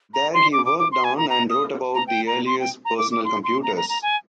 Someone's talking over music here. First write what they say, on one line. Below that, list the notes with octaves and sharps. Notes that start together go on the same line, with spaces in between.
There he worked on and wrote about the earliest personal computers.
A#5
C6
D6
D6
D6
C6
G#5
A#5
A#5
D#6
A#5
G5
A#5
C6
G5
A#5
D6
D6
C6
C6
A#5
A#5
A#5
G#5